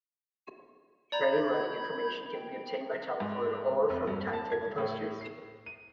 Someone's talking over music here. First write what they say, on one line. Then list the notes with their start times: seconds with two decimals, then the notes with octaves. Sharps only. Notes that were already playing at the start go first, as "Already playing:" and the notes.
Train running information can be obtained by telephone or from timetable posters.
1.12 D5 A#5 B5 G6 G#6
2.32 G5
3.20 G#2
3.90 F1
4.07 G2
4.33 A5
4.52 G#6
4.78 A2
5.21 C7
5.66 D#7